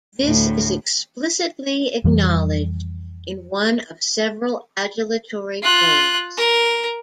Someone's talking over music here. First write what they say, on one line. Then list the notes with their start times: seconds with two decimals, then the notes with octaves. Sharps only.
This is explicitly acknowledged in one of several adulatory poems.
0.22 D2 A2
2.04 F2 E3 G3
5.62 F4 F#6
6.37 A#4